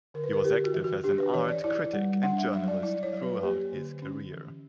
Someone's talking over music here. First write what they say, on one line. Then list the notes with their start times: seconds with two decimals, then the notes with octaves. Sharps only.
He was active as an art critic and journalist throughout his career.
0.14 D3 A#4
0.24 B4
0.33 A#4
0.44 E4 G4
0.64 F#4
0.74 E3
0.84 F#4
1.04 D4 G4
1.18 B4
1.34 E3 C#5
1.49 D5
1.64 E4 D5
1.93 G3
2.23 D4 F#5
2.38 E5
2.53 F#3 E5
2.68 D5
2.83 E4 D5
3.03 C#5
3.13 F#3
3.23 B4
3.43 A#3 G4
3.73 D3
4.02 C#4
4.33 E3